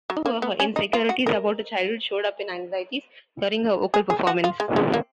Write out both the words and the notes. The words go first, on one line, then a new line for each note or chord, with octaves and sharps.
However, her insecurities about her childhood showed up in anxieties during her vocal performance.
F#3
A#3
B3
C#4
D#4
F4
F#4
A#4
G#4
G#4
F#4
F4
G#3
G#3
A#3